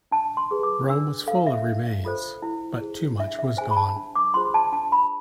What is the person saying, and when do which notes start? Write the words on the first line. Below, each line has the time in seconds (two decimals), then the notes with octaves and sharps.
Rome was full of remains, but too much was gone.
0.11 D4 A5
0.37 C6
0.51 G#4 B4
0.63 D6
0.89 D4 E6
1.27 A4 C5 F5
1.47 E5
1.65 D4
2.05 F4 A4 C5
2.42 E4
2.81 G#4 C5
3.19 D4 E5
3.39 E5
3.57 G#4 C5 G#5
3.71 B5
3.77 A5
3.97 D4
4.15 D6
4.34 F4 G#4 C5 C6
4.54 A5
4.72 D4 A5
4.92 B5